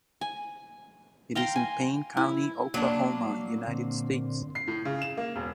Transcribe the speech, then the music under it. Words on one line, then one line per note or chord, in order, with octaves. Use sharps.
It is in Payne County, Oklahoma, United States.
G#5
F5 G5 A#5 C6
G#5
E4
F#3 A#3 D4
A#2 D3 C4
C7
A2
C#3
E7
A#3
E1